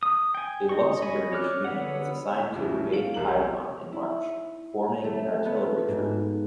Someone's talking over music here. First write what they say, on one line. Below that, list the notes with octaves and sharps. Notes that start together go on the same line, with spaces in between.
A Luxembourgish unit was assigned to "Brigade Piron" in March, forming an artillery troop.
D#6
G5 G#5
D#5 C#6
C#5 D#5 G#5 B5
C#5 D5 D6 F6 F#6
D3 B3 C#5 F#5
A#1 F2 A2 C#3 E4
F5 D7 F#7
E1 C2 C3 F#3 A#4 F#7
E4
A3
B3
G#2